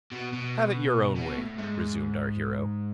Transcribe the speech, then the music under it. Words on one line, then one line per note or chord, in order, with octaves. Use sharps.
"Have it your own way," resumed our hero.
B2
B2
B2
A2
G#2